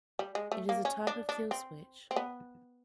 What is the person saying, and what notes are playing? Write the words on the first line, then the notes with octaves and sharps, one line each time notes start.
It is a type of kill switch.
G3
G#3
A3
A#3
C#4
D4
D4
C4
C4
B3